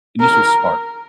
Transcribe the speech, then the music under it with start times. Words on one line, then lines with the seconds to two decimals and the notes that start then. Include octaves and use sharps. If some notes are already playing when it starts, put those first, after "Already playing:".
initial spark
0.20 A#4